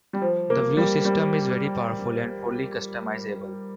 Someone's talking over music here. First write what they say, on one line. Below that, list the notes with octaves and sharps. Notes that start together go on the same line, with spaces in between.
The view system is very powerful and fully customizable.
G3
F3
A#3
G3
G3